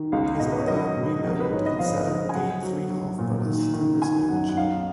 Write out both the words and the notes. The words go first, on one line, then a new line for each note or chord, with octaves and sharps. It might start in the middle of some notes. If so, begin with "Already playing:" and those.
His mother remarried, and Saddam gained three half-brothers through this marriage.
Already playing: D#3
C#2 F5
B2 D#5
B4
C#5
F#3 D#5
B2
A#1 A#4
B4
G#2 C#5
D#5
F3 F5
F3
G#5
F#3 F#5
F#3
F#3
A#2
D#3
D#3
D#3 G#5
F#2 F#5
F#5
B1 F5